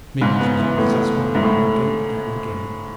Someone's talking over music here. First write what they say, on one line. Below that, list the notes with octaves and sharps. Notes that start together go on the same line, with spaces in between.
Meares was exasperated again and again.
G#2 C#3
B3
E3
A2 B3
B3
C#3
G#2 E4
A2